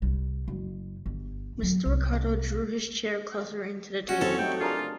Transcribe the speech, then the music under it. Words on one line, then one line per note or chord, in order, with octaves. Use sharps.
Mr. Ricardo drew his chair closer in to the table.
C2 G3
F#1
G1
G1 F#3
C2
C#4 F#4
E3 F#3 C4 F#4 A4 C#5
G3 A3 D#4 G5
D4 F4 G#4 A#4